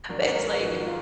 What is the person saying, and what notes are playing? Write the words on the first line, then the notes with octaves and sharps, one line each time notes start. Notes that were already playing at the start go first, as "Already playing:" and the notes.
it's like
G#1 G#2 D#3 F#3 D4 A#4
B4
A#4
G#1 F#2 F3 F#4
F4